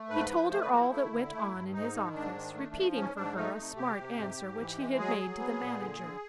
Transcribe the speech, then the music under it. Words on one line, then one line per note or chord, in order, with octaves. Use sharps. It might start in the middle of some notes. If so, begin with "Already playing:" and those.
He told her all that went on in his office, repeating for her a smart answer which he had made to the manager.
Already playing: A3
G#2 B4
F3
A3 C5
B4
F3 F#4
E4
A3 E4
D3
A3
G2
G#2 D#4
D#3
G#2 D4
D#3
A3
F3
G#2 C#4
G#2 D4
A3 D#4
C3
C3 G4
C3
G#2
G#2
E3
G#3
F#3 G#4
F#3
B3
A#2
D3
D3